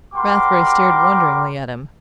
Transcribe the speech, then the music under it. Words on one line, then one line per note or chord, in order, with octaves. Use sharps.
Rathbury stared wonderingly at him.
G3 F#4 A#4 G5 C6 D6